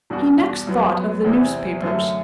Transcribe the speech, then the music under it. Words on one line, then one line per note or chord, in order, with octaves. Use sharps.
He next thought of the newspapers.
E2 B2 G3 D4 F#4
F#2 F#3 B3
E2 C3 E3
F#2 D3 A3